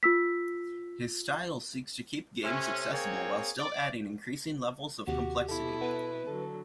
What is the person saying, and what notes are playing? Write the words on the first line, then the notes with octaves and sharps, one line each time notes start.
His style seeks to keep games accessible while still adding increasing levels of complexity.
F4 E6 B6
C3 A3 C#4
A#3 C4 G#4 C#5
D5
D#2 C3 F#4 G4
B2 E4 A4
B3 B4
D3 F#3 A4